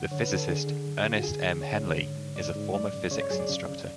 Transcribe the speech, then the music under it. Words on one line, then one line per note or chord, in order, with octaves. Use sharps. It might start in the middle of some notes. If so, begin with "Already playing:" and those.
The physicist Ernest M. Henley is a former physics instructor.
Already playing: F#2 D3 F#5
D3 C#5
B4
D3
A4
D3 G#4
D3
F#2
F#2 F4
F#4
D3 G#4
D3
D3 C#5
D3
G#2
G#2
G#2 D5
G#2
F#2 D5
C#3
C#3 C#5
C#5
F#2 G#4
D5
C#3
C#3